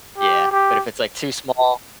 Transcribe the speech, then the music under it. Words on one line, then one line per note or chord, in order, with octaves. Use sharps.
yeah, but if it's, like, too small,
G4
G4